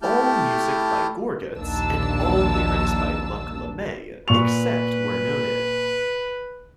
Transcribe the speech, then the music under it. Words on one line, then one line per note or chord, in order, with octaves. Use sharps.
All music by Gorguts and all lyrics by Luc Lemay, except where noted.
A3 E4 G4 A5 F6 G6
A#1 D#2 A#3 D4 A5 E6
A#2 B4 C#6 F7